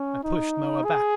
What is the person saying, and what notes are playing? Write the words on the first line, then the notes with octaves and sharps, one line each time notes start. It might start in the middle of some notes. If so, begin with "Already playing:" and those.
I pushed Moa back.
Already playing: C#4
D#4
G#4